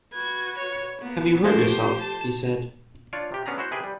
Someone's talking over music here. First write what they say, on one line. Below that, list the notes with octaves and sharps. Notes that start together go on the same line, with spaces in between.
Have you hurt yourself?’ he said.
F#4 B4 G#6
C#5
A#3 B3
F3 A3 G4 C5
A5
D4 F4 C#5 D5
C3 G4
B3 C#4 D4 G#4 A#5
E4 F#4 C5
C3 G#4 B4 G5
G3